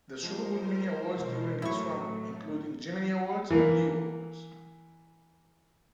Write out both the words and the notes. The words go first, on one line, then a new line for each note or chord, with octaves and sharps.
The show won many awards during its run, including Gemini Awards and Leo Awards.
F3 G#3 A#4 C5
B2
A2 F#3 A3 E4 C#6
E3 A#3